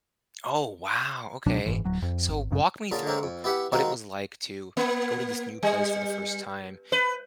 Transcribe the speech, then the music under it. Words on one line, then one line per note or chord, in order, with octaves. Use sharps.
Oh, wow, okay. So walk me through what it was like to go to this new place for the first time.
C#2 B2 F#3 D4
F#1 C#2 G#2 E3
D1 F#3
F2
G#1
G1 F#2 C#3
A#2 D3 C#4 G#4
G#3 A#3 C4 C#4
F2
B3 E4 G4 E5 F#5
D#3 G#3 C4 D#4 F#4 F5
A#3
G3
B4